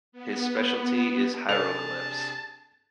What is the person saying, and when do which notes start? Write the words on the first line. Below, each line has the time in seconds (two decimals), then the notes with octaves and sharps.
His specialty is hieroglyphs.
0.12 B3
1.49 C3 D4 G#4 A4 C#5 D5 A5 F7